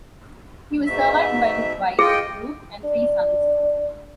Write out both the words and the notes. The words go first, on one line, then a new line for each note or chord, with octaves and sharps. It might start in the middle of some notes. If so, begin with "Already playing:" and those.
He was survived by his wife, Ruth, and three sons.
G#2 B2 E5
F4 G#4 D#5 G5
D4